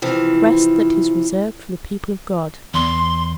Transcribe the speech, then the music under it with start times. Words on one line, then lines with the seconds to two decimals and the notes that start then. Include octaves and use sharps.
"Rest that is reserved for the people of God."
0.02 C3 E3 F3
2.74 E2 C6